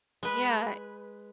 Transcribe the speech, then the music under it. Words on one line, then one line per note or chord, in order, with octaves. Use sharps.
Yeah, eh
G#3 B4